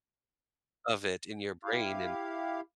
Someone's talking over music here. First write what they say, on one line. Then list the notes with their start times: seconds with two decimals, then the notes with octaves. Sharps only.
of it in your brain and
1.65 E4 G4 F5